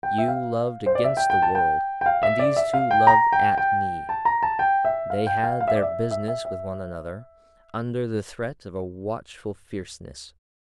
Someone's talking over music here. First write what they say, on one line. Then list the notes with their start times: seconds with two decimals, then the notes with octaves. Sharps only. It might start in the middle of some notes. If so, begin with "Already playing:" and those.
You loved against the world, and these two loved AT me. They had their business with one another, under the threat of a watchful fierceness.
0.03 G5
0.18 E5
0.28 F5
0.86 C5
0.95 D5
1.04 E5
1.17 G5
1.30 G5
1.42 A5
1.55 G5
2.01 G5
2.06 F5
2.23 E5
2.39 D5
2.56 E5
2.73 F5
2.91 G5
3.07 A#5
3.33 G5
3.58 G5
4.09 A5
4.25 A#5
4.43 A5
4.59 G5
4.85 E5
5.10 F5
5.27 G5
5.44 F5
5.60 F5
5.68 E5
5.75 D5
5.82 E5
6.11 E5
6.28 E5
6.45 E5